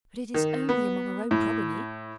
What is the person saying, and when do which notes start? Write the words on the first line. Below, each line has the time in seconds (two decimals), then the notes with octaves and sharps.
'But it is only among our own progeny.'
0.34 D#3
0.69 B3
1.31 A2